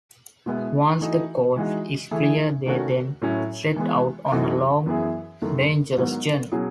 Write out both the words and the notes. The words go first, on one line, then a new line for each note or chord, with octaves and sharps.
Once the coast is clear they then set out on a long, dangerous journey.
B2 G#3 B3 E4
E3 A3 D#4 F#4
E3 G#3 D#4 F#4
E3 A3 E4 G#4
D#3 A3 C#4 F#4
A2 F#3 C#4 E4
E3 G#3 B3
F#2 E3 A3 D#4 F#4
F#2 E3 B3 E4 G#4
F#2 D#3 A3
G#2 D#3 F#3 B3
B2 F#3 C#4 G#4